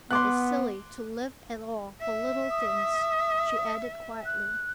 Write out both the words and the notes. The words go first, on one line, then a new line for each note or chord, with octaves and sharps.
"But it's silly to live at all for little things," she added quietly.
B3 C6 D6 F#6
E5
D#6
F#6